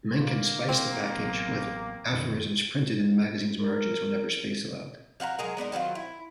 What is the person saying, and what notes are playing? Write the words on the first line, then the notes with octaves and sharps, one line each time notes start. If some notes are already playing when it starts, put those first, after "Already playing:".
Mencken spiced the package with aphorisms printed in the magazine's margins whenever space allowed.
D3 A#3
C4
A1 F#3 B3
F#2 D#3
A#4
F3 F#4 E5 A#5
F#3 G#3 G#4 A#4
G#3 B3 D4 D#4
D#3 F#3 C4 F4
E4